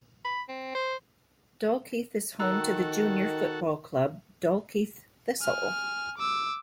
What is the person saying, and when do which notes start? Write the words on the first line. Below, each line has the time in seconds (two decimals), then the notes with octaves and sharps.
Dalkeith is home to the junior football club Dalkeith Thistle.
0.25 B5
0.49 C4
0.75 C5
2.39 D#3 F#4 A4 A#5 E6 F#6
5.39 G#5 F6
6.17 D6 E6